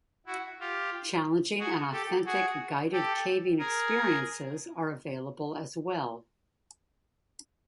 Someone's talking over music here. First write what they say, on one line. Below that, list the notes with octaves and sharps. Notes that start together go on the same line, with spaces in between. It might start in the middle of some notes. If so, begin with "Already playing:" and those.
Challenging and authentic guided caving experiences are available as well.
E4 F#4
F4 G4
F#4 G#4
G4 A4
F#4 G#4
G4 A4
G#4 A#4